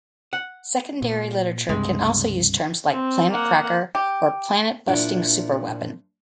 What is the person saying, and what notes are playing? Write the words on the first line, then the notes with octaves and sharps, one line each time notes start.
Secondary literature can also use terms like "planet-cracker" or "planet-busting superweapon".
F#5
A#2
C#2 G2 C3 G#3
C4
A#3 F#5
G4
A#2 F3 D4 E4